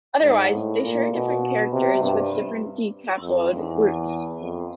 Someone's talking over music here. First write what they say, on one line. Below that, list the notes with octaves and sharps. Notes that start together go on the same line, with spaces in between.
Otherwise, they share different characters with different decapod groups.
G#2
A2
A#2
B2
C3
G2
F2
E2
F2